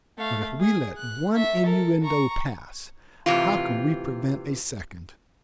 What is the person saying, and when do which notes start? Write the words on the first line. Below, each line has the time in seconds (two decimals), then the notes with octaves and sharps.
But if we let one innuendo pass, how can we prevent a second?
0.18 A3 F5
0.60 G#4
0.97 F#6
1.29 A3 E5
1.63 A4 A#4
2.03 A#5 C#6
3.26 A2 C3 E3 F4